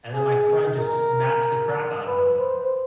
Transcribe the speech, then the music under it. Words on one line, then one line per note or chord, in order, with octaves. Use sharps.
and then my friend just smacks the crap out of him,
G#4
A#4
B4
C5